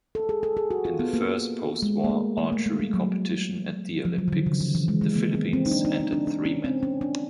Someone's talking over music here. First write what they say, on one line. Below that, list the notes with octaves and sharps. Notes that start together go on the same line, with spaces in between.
In the first postwar archery competition at the Olympics, the Philippines entered three men.
A4
G#4
A4
G#4
F#4
F4
B3
A#3
G#3
A#3
A3
A#3
A3
G#3
G3
F#3
F3
F#3
D#3
D3
C#3
D3
E3
G#3
G#3
A#3
B3
C4
D#4
D4
D#4
D#4
D4
D4
C#4
C4
C#4
D4